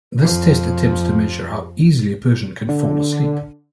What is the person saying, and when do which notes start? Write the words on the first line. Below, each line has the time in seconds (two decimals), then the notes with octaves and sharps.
This test attempts to measure how easily a person can fall asleep.
0.22 F2 F3
2.69 D3